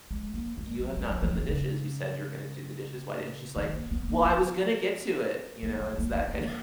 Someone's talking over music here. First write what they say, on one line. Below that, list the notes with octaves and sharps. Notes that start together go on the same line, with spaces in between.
you have not done the dishes, you said you were gonna do the dishes. Why didn't" She's like, "Well, I was gonna get to it." You know? It's that kind
G#3
A#3
G#3
F#3
G#3
F#3
E3
D#3
C#3
D#3
A#3
B3
A#3
B3
A#3
G#3
A#3
B3
A#3